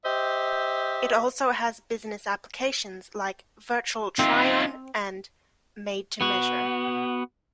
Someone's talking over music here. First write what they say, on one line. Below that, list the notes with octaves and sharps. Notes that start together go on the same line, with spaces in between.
It also has business applications like "virtual-try on" and "made to measure".
G4 C5 D#5 E5
C4 D#4 F4
B3 F#4